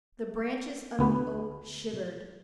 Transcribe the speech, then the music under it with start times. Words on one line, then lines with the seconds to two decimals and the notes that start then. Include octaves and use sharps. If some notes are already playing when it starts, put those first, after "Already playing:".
The branches of the oak shivered.
0.99 D2 B3 B4